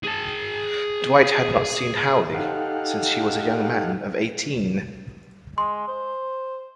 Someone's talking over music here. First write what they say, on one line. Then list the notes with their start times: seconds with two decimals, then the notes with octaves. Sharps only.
Dwight had not seen Hawley since he was a young man of eighteen.
0.04 G#4 A5
2.34 D#4 G4 A4 F5 F#5
5.58 G#3 C6
5.88 C5